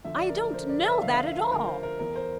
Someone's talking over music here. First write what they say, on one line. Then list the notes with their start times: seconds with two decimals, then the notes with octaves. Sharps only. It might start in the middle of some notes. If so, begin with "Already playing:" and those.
I don't know that at all!
0.05 D2 D3 F3 E5
0.18 D5
0.29 A#4
0.42 A#4
0.53 D2 D3 F3 C5
0.69 D5
0.87 E5
1.02 D2 D3 F3 F5
1.14 F5
1.26 E5
1.52 D2 D3 F3 A#4
1.67 C5
1.83 A#4
1.99 E2 E3 A#4
2.16 C5